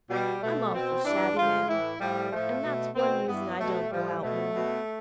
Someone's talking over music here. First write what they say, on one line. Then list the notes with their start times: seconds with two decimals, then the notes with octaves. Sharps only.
I'm awful shabby, ma'am, and that's one reason I don't go out more.
0.10 B2 G3
0.43 B2 A3
0.74 B2 C4
1.05 G2 E3 D4
1.37 G2 D3 F3 F4
1.68 A2 E3 E4
2.01 A2 F3 G3
2.32 A2 F3 A3
2.64 B2
2.95 B2 C4
3.27 G2 E3 B3
3.59 B2 A3
3.91 A2 F3 G3
4.22 B2 A3
4.55 B2